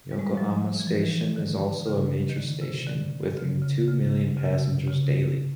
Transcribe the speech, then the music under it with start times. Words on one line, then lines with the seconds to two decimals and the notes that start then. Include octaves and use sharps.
Yokohama Station is also a major station, with two million passengers daily.
0.12 G3
0.19 G#3
0.27 G3
0.37 F3
0.80 E3
0.87 F3
1.03 E3
1.21 D#3
1.36 D3
1.87 C#3
2.30 D#3
2.37 D3
2.61 C3
2.87 D3
3.38 C#3
3.62 C#3
3.88 C#3
4.37 C#3
4.44 C3
4.59 C3
4.88 C#3